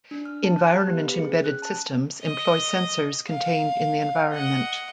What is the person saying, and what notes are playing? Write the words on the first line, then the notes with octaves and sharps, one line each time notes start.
Environment-embedded systems employ sensors contained in the environment.
D4
F6
A5
F#6
G4
B3
B4
G#4
C#4
F#6
A5
D#5
F5
D#5 F#5